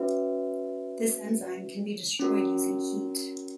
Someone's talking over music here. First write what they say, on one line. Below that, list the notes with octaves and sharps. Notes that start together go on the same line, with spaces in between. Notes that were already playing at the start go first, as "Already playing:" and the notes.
This enzyme can be destroyed using heat.
Already playing: C#4 F#4 B4 E5
C#4 F#4 A#4